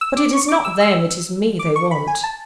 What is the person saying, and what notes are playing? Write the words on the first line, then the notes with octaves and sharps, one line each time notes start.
But it is not them--it is me they want.'
E6
D6
C#6
D6
E6
E6
D6
C#6
B5
G#5
A5